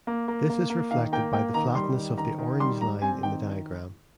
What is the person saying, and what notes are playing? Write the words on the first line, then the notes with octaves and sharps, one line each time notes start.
This is reflected by the flatness of the orange line in the diagram.
A#3
A#3
A#3
A#3
D#3 F5
A#3 G5
A#3 G5
D#3 A#5
G3 C6
D#3
D#3 A#5
D#3
G3 C6
G3 A#5
C4 G#5
D#3 G5